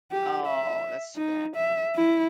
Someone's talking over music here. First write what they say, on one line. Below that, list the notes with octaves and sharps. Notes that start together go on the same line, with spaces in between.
Oh, that's too bad.
G4
E5
D#4
E5
E4